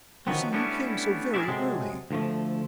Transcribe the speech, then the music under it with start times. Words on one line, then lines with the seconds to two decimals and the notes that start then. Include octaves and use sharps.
"You see you came so very early."
0.27 D#3 F3 F#3 B3 C4
0.53 G3 A3 B3 C#4 D4 E4
1.34 G#4 A#4 B4 C#5 D5 E5
1.48 C3 F#3 G#3 G#4 A4
2.11 D2 F3 A3